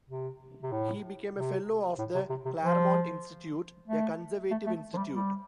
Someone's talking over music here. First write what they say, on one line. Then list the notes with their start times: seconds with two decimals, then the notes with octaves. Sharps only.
He became a fellow of the Claremont Institute, a conservative institute.
0.09 C3
0.63 C3
0.72 A2
1.36 C3
1.99 A2
2.15 C3
2.30 C3
2.46 C3
2.61 F3
3.87 A3
4.51 A3
4.67 A3
4.94 F3
4.98 G3
5.14 G3